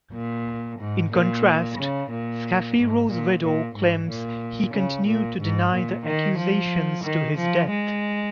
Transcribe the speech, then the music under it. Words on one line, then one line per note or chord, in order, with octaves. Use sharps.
In contrast, Schapiro's widow claims he continued to deny the accusations to his death.
A#2
G#2
A#2
C#3
A#2
G#2
A#2
A#2
G#2
A#2
C#3
A#2
G#2
A#2
D#3
F3
D#3
F3
G#3